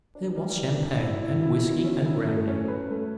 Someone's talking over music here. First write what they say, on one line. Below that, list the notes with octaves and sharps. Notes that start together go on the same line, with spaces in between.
There was champagne, and whiskey, and brandy.
D4
G3
E3
D4
E4
E4
E4
B2
C#4
E4
A3
C#4
B4
A3